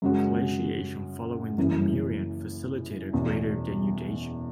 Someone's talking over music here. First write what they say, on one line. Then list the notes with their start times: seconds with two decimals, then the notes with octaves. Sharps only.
Glaciation following the Namurian facilitated greater denudation.
0.02 F#2 C#3 G#3 C#4 F#4
1.58 F#1 F#2 E3
3.13 E1 E2 B2